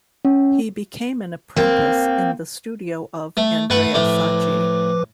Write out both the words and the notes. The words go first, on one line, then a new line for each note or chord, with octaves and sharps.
He became an apprentice in the studio of Andrea Sacchi.
C#4
A#3 C4
A3
G2 A3 B4 F#5
A2 F3 A3 B4 D6